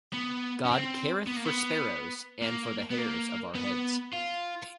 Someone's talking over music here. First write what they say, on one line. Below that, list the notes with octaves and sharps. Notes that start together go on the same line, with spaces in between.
God careth for sparrows, and for the hairs of our heads.
B3
C#4
C4
B3
A#3
B3
A#3
B3
A#3
B3
F4